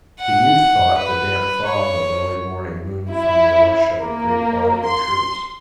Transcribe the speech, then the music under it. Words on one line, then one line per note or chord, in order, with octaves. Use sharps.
The youth thought the damp fog of early morning moved from the rush of a great body of troops.
F#5
B4
C#5
E4
A#3
C6